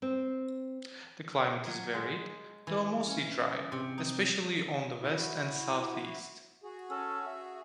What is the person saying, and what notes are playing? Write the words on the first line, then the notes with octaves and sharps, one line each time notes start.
The climate is varied, though mostly dry, especially on the west and southeast.
C4
F#3
G#3
E3
C#4
C3
D#4
E4 F#4
F#4 G#4
C#4 A4
E5